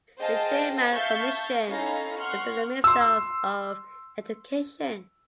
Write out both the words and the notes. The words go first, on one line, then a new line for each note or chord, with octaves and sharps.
The chairman of the commission is the Minister of Education.
G#4 C5 D#5 F5 G5 A5
E5 F5 A5 C#6 G6
C#4 D#4 E4 A4 F5 A#5
F#5 C6 C#6 F6 F#6
C6 E6